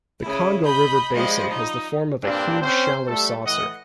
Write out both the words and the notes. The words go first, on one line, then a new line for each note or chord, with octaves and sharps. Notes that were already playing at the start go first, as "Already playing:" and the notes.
The Congo River basin has the form of a huge, shallow saucer.
C#3 E4
D#5 B5 G6
F3 G3 G#3 D#5
D#4
G2 A#2 C4 D4
C4 C#4 C5
G3 A3 A4
A2 E3 D#5 F#5